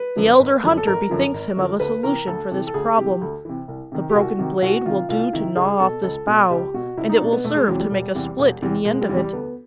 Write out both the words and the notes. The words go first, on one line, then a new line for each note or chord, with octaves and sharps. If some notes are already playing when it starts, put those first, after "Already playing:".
The elder hunter bethinks him of a solution for this problem. The broken blade will do to gnaw off this bough, and it will serve to make a split in the end of it.
Already playing: B4
F#2 D3 F3
G#1
F#2 D3 F3
A4
G#1 A#4
F#2 D3 F3
G#1
F#2 D3 F3
D2 B4
C3 E3 A#4
D2 A4
C3 E3
A4
D2 G#4
C3 E3 G4
D2
C3 E3
C2
C3 D#3
G4
C2 F#4
C3 D#3
C2 F#4
C3 D#3 F4
C2 F4
C3 D#3 E4
C#2 G#4
B2 A4
C#2 A4
B2
C#2 G4
B2 F#4
C#2 E4
D#4
B2 D4
B3
E1 A3
G#3
E2 C3 E3 F#3
G3
E1
E2 C3 E3
E1
E2 C3 E3
E1 G#3
G3
E2 C3 E3
G3
D2 B3